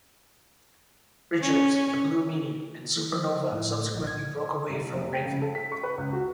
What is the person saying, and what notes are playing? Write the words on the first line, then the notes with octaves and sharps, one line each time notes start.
Richards, The Blue Meanie and Super Nova subsequently broke away from Raven.
C#4
F3
A2
A#1
G#6
C2
F1
G5
C#3
A4
B6
C#6
B4
C#2
F#4